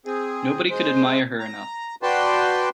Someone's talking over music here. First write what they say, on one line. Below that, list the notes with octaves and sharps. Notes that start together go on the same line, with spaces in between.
Nobody could admire her enough.
C4 G#4
G#3 C5
A#5
F#4 B4 D5 G5 A5 C6